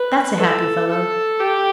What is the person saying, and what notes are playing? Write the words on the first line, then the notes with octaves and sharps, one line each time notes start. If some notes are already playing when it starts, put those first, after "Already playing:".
That's a happy fellow!
Already playing: B4
A4
A4
G4